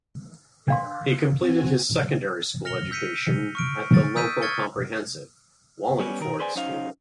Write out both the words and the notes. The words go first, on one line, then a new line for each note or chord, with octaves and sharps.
He completed his secondary school education at the local comprehensive, Wallingford School.
D4 F5 C6
C4 F#4 G#5
F6 A#6 C#7 F7 G7
E6 G6 B6 C#7 D#7
C#6 F6 D7
A6
D#6 E6 G6 B6 D#7
C#6 F6 G#6 A6 C#7 G7
G3 B3 C#4
D#3 A#4
G#4 B4 C5 D5 G#5
F#3 C#4 D#4 C5 F5